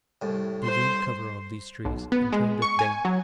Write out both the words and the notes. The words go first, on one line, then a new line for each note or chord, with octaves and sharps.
They gained cover of these trees, and turned at bay.
C2 A2
C5 C6
B1
B3
G#3
C#6
G#5
F#3